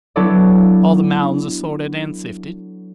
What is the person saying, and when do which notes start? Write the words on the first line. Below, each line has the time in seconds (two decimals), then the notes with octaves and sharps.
All the mounds are sorted and sifted?'
0.16 F#3 B3 D4 E4 A4 D5